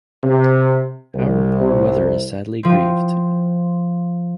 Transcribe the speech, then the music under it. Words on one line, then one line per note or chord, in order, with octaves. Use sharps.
Our poor mother is sadly grieved.
C3
C2
F3 C4